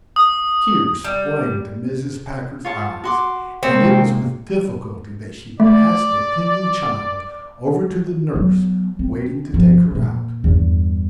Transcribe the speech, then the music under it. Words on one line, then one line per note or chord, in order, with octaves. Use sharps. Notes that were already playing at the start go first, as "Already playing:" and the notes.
Tears sprang to Mrs. Packard's eyes, and it was with difficulty that she passed the clinging child over to the nurse waiting to take her out.
D#6
G3
F4 C#5 A5
F#4 C6 D6
C3 G#3 A#3 C4 C#5
A3 D5
F#3 B3
C4
G1 F3
A#2 A#3
E2 G2